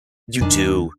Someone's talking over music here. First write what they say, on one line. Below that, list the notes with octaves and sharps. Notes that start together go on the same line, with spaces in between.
You do.
F1 F#2 D#3 D4 G#5
D#2